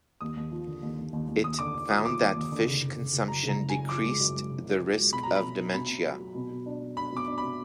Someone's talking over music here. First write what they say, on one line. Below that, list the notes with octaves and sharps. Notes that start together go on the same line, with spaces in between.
It found that fish consumption decreased the risk of dementia.
D#2 D#6
D#2
F3
D3
D#2
D#2
D#2
D#2
D#2 D#6
D3 D6
D3
F3 D#6
F3 D6
D#2
D#2
D3
F#1
F#1
F#1
F#1
F#2 A#5
F#1
A#5
G#3
F#2 G#5
F3 D6
G#3
F#2
G#3
F#1
F3
F3
G#3
B2 B5
F#3 A#5
B5
B2
D4
B2 B5
B2
F#3
F#3
B2
B2
D4
F#3
D4 B5
B2 D6
D4
B2 B5